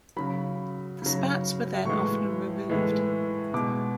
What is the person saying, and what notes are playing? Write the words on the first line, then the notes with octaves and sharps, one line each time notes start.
The spats were then often removed.
C#3 F#3 B5
C#3 F#3
A2 E3 G#3 C#6
A2 E3 G#3
B2 G#3 D6